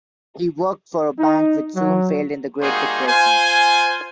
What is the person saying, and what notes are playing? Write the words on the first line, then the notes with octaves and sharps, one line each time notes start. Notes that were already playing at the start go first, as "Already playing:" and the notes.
He worked for a bank which soon failed in the Great Depression.
D#4
F#3
G3 A#3 D#4 F#4 G#4 C5
F4 C5 G#5